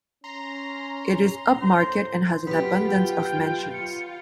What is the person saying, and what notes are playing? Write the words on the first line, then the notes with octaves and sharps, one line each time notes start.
It is upmarket and has an abundance of mansions.
C#4 A#5 C6
A2 C5
F#2 B3 F4 G4 B6
G5
C#7